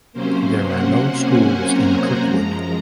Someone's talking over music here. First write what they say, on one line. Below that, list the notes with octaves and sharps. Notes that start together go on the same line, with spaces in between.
There are no schools in Kirkwood.
C3 F#3 A#3 C#4 C5
F#5
G#5
A#5
F#2 F3 G#3